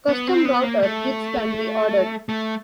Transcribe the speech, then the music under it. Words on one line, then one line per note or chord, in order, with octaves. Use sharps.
Custom router bits can be ordered.
B3
C4
B3
A#3
A3
A3